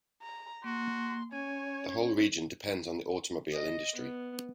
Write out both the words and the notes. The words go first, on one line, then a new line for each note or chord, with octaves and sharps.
The whole region depends on the automobile industry.
A#5
A#3 F#4 C6
C#4 C#5 G#5
D#5
B3